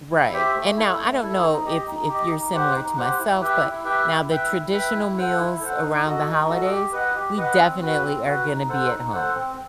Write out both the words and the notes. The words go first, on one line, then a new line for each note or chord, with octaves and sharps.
Right, and now, I don't know if if you're similar to myself, but now the traditional meals around the holidays, we definitely are gonna be at home.
E4
G4 C5 E5
A3
E4 A4
A3
E4 A4
D#4
G4 D#5
D#4
G4
D#5
D#4
G4 C5 F#5
D#4
G4 C5 F#5
E4
G4 B4 E5 G5
E4
G4 B4 E5 G5
E4
B4 E5 G5
E4
B4 E5 G5
E4
A4 C5 F#5
E4
A4 C5 F#5
D#4
F#4 A4 D#5
D#4
F#4 A4 D#5
G4
B4 D#5 F#5
G4
B4 D#5 F#5
C4
F#4 B4
C4
F#4 B4
D#4
A4 C5 F#5
D#4
A4 C5 F#5
C4